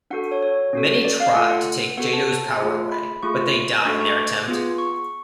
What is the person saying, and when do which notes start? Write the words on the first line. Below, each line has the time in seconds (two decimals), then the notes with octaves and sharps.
Many try to take Jado's power away, but they die in their attempt.
0.10 D4 F#4 A4 F#5
0.32 C#5
0.43 C#5
0.73 C#4 F#4 A4
1.05 D5
1.20 F5
1.35 A3 F4 A4 F#5
1.51 F#5
1.97 B3 F#4 A4 F#5
2.13 A5
2.60 A3 F4 G#4
2.92 B5
3.23 A3 F4 G#4 C#6
3.85 A3 D4 F#4 A4 C#6
4.01 C#6
4.16 D6
4.48 B3 F4 G#4
4.78 C#6